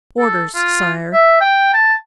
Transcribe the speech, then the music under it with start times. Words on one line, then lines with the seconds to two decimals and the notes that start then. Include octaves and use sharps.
"Orders, Sire."
0.19 A4
0.55 F4
1.13 E5
1.41 G5
1.73 A5